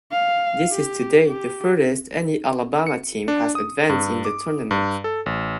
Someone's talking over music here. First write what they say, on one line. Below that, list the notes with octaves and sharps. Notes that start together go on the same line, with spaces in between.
This is to date the furthest any Alabama team has advanced in the tournament.
F5
G4
G4
C#7
D4
D#6
G2
D6
G2
A4
A1